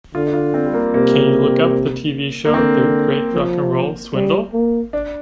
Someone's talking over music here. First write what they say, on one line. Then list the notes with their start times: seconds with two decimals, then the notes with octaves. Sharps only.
Can you look up the TV show, The Great Rock 'n' Roll Swindle?
0.14 D3 F4
0.28 D4
0.34 F4
0.54 C4
0.66 G3
0.74 A#3
0.94 C3 A#3
2.45 A#3
2.54 D3 C4
3.33 F3
4.13 G3
4.53 A#3
4.93 D4